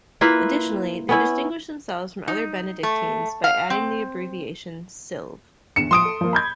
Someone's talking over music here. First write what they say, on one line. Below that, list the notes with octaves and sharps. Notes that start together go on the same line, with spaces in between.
Additionally, they distinguish themselves from other Benedictines by adding the abbreviation Silv.
A#3 E4 F4 B4
B3 C#4 E4
D#4
A3
F5
C4
E2 D3 C#7 E7
F3 C6 D#6 D7
A4
F3 A#3
B5 G6 G#6